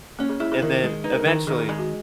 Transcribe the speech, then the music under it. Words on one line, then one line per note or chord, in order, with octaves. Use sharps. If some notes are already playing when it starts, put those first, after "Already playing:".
and then, eventually,
A#3 C#4
G#4
E4 G#4
G#4
D#3 A#4
G#3
D#4 B4
A#4
G#4
D#3 A#4
D#3 G#4
G#4
G#3 G#4
F#4